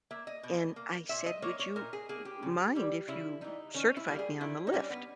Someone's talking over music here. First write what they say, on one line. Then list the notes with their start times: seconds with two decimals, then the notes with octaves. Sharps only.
And I said, "Would you m mind if you certified me on the lift?"
0.11 A#3 E5
0.27 D#5
0.43 B2
0.76 A#3
1.09 A#2 E5
1.26 D#5
1.42 A#3 C#5
1.59 C#5
1.76 A#2 A#4
1.93 G#4
2.09 A#3 G#4
2.25 G4
2.43 C#3
2.75 E3 G3
3.08 C#3 E4
3.41 E3 G3 D#4
3.74 D#3 C#4
3.97 E4
4.08 G3 A#3
4.19 G#4
4.41 D#3 E4
4.67 D#4
4.73 G3 A#3 C#4
4.90 B3